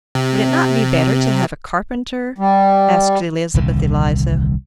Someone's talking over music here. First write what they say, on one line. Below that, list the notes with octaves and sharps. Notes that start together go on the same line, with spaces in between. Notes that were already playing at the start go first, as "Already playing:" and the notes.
"Would it not be better to have a carpenter?" asked Elizabeth Eliza.
C3
G3
D#1 C2 D3